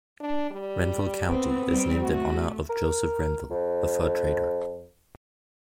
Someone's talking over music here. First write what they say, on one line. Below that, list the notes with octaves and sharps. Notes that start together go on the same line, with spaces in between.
Renville County is named in honor of Joseph Renville, a fur trader.
D4
G3
B3 C4
G3 C4
A3 F#4
A#4
F2